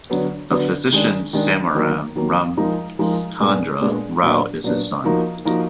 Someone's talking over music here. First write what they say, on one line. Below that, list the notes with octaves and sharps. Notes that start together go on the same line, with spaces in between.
The physician Samaram Ramachandra Rao is his son.
D3 F#3 B3
D3 F#3 B3
D#3 G#3 D4
D#3 G#3 D4
D#3 F#3 A#3
D#3 F#3 A#3
F3 G#3 D#4 A#4
F3 G#3 D#4 A#4
A#2 G#3 B3 D4 G#4
A#2 G#3 B3 D4 G#4
A#2 F#3 B3 D4
A#2 F#3 B3 D4
F3 A#3 D#4 F#4 A#4
F3 A#3 D#4 F#4 A#4